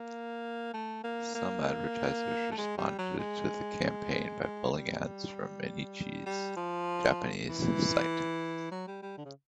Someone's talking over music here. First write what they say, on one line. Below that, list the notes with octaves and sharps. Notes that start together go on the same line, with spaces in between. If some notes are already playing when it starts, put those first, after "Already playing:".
Some advertisers responded to the campaign by pulling ads from "Mainichi"'s Japanese site.
Already playing: A#3
A3
A#3
A#3
A3
G#3
G3
F#3
G#3
G#3
G3
G3
F3
E3
F#3
G3
G3
D3
C#3